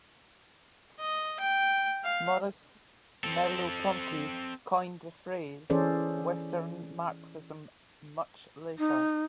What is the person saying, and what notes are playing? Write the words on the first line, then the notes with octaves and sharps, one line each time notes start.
Maurice Merleau-Ponty coined the phrase "Western Marxism" much later.
D#5
G5
F5
C4 A4
E3 C#4 G#4 A4 C5 D5
D#4